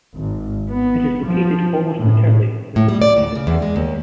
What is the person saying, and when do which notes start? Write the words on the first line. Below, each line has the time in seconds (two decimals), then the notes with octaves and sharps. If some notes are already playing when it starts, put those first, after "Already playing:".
It is located almost entirely within Davis County.
0.15 G#1
0.69 B3
1.25 F3
1.98 A2
2.76 A2
2.88 G3
3.02 D5
3.17 D2
3.35 C#3
3.47 E2
3.62 G#3
3.76 D#2